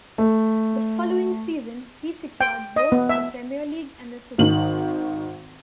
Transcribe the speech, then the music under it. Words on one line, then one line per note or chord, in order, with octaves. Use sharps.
The following season, he secured both the Premier League and the Super Cup.
A3
G5
D#5
B3
E5
G#1 D#3 F#7